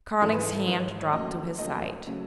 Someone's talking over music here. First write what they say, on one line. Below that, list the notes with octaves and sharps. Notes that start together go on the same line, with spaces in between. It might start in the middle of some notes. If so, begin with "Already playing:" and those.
Carling's hand dropped to his side.
G#1 G#2 E3 A4
B4
A4
A4
G#1 G#2 E3 B4
C#5
C#5
E1 D#2 C#3 F#3 A3 D#5
E1 D#2 C#3 F#3 A3 D#5
C#3 F#3 A3